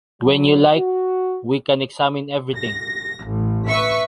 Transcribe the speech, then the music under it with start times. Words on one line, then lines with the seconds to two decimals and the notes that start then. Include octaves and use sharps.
When you like, we can examine everything.
0.21 F#3
0.76 F#4
2.55 A#6
3.25 A1
3.68 B4 E5 C#6 B6